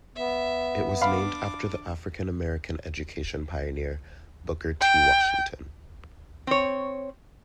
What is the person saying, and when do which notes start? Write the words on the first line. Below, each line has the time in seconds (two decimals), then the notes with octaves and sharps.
It was named after the African-American education pioneer Booker T. Washington.
0.16 B3 E5
1.02 D4 F5 B5 D6
4.81 G5
6.47 C4 C#5